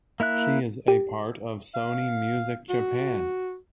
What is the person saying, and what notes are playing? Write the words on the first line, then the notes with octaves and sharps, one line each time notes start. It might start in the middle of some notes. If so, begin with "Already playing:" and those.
She is a part of Sony Music Japan.
A#3 E4 E5 F#6
G4
F5
F#4